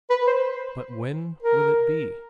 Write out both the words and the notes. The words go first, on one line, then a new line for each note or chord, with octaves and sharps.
But when will it be?
B4
C5
A#4